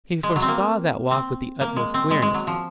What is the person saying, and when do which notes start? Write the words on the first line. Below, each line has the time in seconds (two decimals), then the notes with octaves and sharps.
He foresaw that walk with the utmost clearness.
0.23 G#3
0.36 F#3
0.42 C4
0.48 A#3
1.11 C4
1.61 A#3
1.76 G#3
1.94 C4
2.11 G#3
2.22 G#3
2.34 F#3
2.47 F3